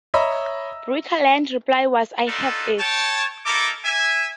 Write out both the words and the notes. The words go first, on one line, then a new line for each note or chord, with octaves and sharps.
Birkeland's reply was, I have it!
C#5 D#5 E5 A#5 B5 E6
B3 D4 D#4 F4 A4
C#5 G5 A5
A#3 D#4 E4 A4 A#4 D6
E5 G#5